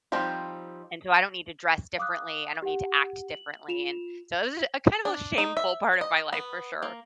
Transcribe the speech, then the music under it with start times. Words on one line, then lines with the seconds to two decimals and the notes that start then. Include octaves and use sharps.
and, so, I don't need to dress differently, I don't need to act differently, and, so this is a kind of a shameful part of my life for sure.
0.12 F3 G3 C4 D#4 G4
1.98 F5 D6 D#6 F#6
2.62 G4 F#5
3.30 F#7
3.68 F4 E7 F7
5.05 D4
5.38 D#4
5.57 E5
6.01 D#5
6.33 B3
6.82 A#3